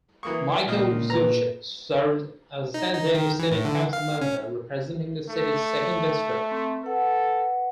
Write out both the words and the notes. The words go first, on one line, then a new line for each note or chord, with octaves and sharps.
Michael Zucchet served as a San Diego city councilmember representing the city's Second District.
E3 A#3 C#6 D#6
C#2 A#2 F4 D#5
G#2 B4 A#5
D#4
D#4
D#3
E3
A2
D3
F5
C#4
A3
C4 C#6
A4 B4 F#5